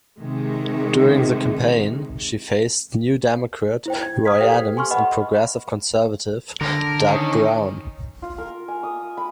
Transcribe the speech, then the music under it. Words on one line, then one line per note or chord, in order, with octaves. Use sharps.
During the campaign, she faced New Democrat Roy Adams and Progressive Conservative, Doug Brown.
C3 D#3 G#3
E4 C5 G5
G#6
D#6 F6 G#6 B6
G4 A4 B4 C5 F5 G5
G#5 C6 C#6 F6
B4 D#5 F#5 B5
D3 A#4
D#3 C#4 D#4
F4
A#4
G#5
D#6
B5